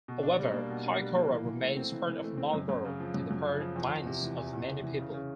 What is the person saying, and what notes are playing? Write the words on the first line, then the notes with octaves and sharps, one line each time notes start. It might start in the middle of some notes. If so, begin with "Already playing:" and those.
However Kaikoura remains part of Marlborough in the minds of many people.
B2
D4
G3
A#3
B2
D4
G3
A#3
E3
E3
A3
C4
E3
E3
A3
C4
F#2
F#2
C#3
F3
F#2
F#2
C#3
F3
E2
E2
C3
E3
E2
E2
C3
E3
C#3
C#3